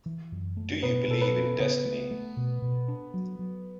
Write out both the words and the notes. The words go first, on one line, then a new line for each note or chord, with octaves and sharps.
Do you believe in destiny?
E3
F#2
A3
B2 B3 B4
B2 A4
B3 B4
C#4
C#3 B3 B4
A3
A3
B2
B2
D4
F#3
F#3